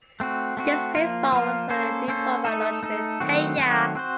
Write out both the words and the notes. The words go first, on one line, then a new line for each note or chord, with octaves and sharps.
This proved false when the new format launched with Hey Ya!
A3 C4 F#4
A3 C4 F#4
F3 A#3 F4
F3 A#3 F4
A#3 C#4 A4 C5
A#3 C#4 A4 C5
A3 D#4 A4
A3 D#4 A4
D#3 F#3 A3 C4 F#4
D#3 F#3 A3 C4 F#4
C4 F#4 C5